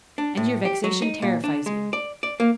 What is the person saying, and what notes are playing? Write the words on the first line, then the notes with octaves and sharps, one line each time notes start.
And your vexation terrifies you.
D4
A2
G4
F#3
D#4
A#2
D4
G#3
D5
D5
A#3